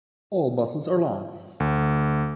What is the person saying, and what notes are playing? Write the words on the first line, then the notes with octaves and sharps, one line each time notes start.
All buses are long.
D2